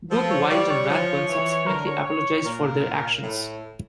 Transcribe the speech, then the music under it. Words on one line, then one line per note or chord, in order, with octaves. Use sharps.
Both White and Rathbun subsequently apologized for their actions.
F3 A4
C#5
G3 D5
C#5
F3
E3
D3 A#4
C#5
C#5
A#2 A#4
A2